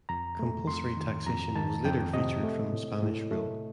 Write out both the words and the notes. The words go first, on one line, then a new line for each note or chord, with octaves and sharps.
Compulsory taxation was later featured from Spanish rule.
F2 A#5
A3
F2 C6
D#3
F2 A#5
D#3 A5
F2 G5
C3 D#5
A3
A2
A2
A3